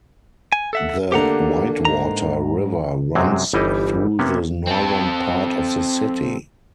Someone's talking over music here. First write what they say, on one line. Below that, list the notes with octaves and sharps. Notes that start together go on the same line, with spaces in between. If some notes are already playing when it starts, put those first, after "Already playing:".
The Whitewater River runs through the northern part of the city.
G#5
A4 E5 F#5
D3 A3 A#3 G4 F#5 A#5
G#2 A#5
F#2 C3 F#3 G#3 C4
G1 E3 G3 D#4 E4 D#5
C3 A#3 B3 C#4
C4 A4